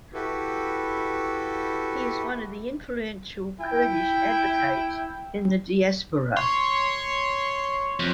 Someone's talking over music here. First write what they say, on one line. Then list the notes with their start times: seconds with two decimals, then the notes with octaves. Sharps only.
He is one of the influential Kurdish advocates in the Diaspora.
0.14 E4 F#4 G4 A4 B4
3.60 E4 G5
6.37 C#5 C6
7.99 F2